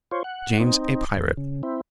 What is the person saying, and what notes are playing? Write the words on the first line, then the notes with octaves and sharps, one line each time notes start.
James, a pirate.
F4 C5 C#5
F#5
C4 D#4
E2
C#3
C4 E4